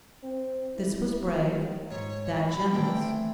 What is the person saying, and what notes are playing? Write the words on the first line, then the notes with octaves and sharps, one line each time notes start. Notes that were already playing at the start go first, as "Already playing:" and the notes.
This was brave, that generous.
C4
E4
C3
D#2
G#2 C#5
F#3 F#5 B5
E3 A3 C4 G5